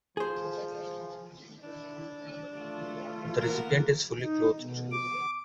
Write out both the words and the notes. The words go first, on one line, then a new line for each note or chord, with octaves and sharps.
The recipient is fully clothed.
F3 G#4 C5
D4 E4
A3 F4
A#3 B3 A#4
D#4
B2
D6